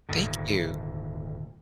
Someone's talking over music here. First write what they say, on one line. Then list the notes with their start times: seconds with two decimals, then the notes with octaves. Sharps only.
Thank you.
0.09 D#1 D2 G#2 D3